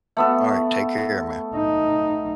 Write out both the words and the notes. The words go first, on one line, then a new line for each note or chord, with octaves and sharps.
Alright, take care, man.
A3 B3 A4
D#4